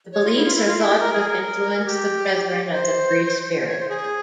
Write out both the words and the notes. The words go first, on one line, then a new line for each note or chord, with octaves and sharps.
The beliefs are thought to have influenced the Brethren of the Free Spirit.
C#5
F4
E4
F4
E4
F4
E4
G4
A#4
G#4
A#4
G#4
G4
C5
C5
C#5
C5
G#4